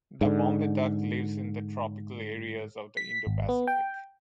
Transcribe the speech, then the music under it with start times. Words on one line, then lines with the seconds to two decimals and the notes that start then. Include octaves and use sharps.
The Bombay duck lives in the tropical areas of the Indo-Pacific.
0.21 G#2 D3
2.97 B6
3.27 G#1
3.49 B3
3.67 G5